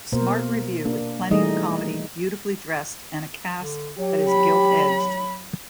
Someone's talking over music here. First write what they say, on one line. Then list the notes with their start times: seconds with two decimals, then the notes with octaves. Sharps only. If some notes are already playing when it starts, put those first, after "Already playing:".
Smart revue with plenty of comedy beautifully dressed and a cast that is gilt-edged.
0.12 B2 A#3 A#4 C5
0.85 A#3 D4
1.31 E3 G3 A3 D#4 G#4 D#5
3.58 D3
3.97 F#3 G4
4.29 B5